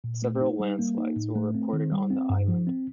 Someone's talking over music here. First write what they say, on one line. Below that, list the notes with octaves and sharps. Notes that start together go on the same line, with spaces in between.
Several landslides were reported on the island.
A#2
A3
D#4
G3
A#3
D#4
A2
A3
C4
D#3
G3
C4
G2
F3
C4